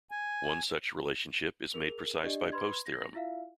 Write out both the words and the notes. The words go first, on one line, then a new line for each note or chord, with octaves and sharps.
One such relationship is made precise by Post's theorem.
G#5
G#4 A#4 F7
D4 G4 D5 D#5
B4 B5 C6 G#6
A#6
E4 F4 E5 F5